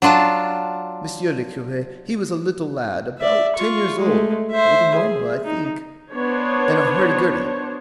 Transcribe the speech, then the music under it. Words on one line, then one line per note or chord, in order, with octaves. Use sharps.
Monsieur le Cure, he was a little lad, about ten years old, with a marmot, I think, and a hurdy-gurdy.
F#3 D4 F4 A5
D5 E5
F4 C#6
G#3 A3
C5 E5
G#4
D#4
B3 D4 C5 C#5